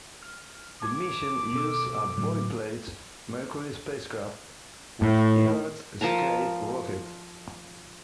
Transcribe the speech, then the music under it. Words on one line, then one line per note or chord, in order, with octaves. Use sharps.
The mission used a boilerplate Mercury spacecraft, with inert escape rocket.
F6
A5 C#6 D6 G#6
B2 A4 E6
A2 D3 F#3
A2
F3 A#4 A5 A#5